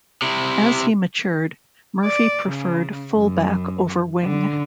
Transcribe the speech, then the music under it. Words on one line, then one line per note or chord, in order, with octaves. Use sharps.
As he matured, Murphy preferred full back over wing.
C3 E4
D5
C#3
F#2
D3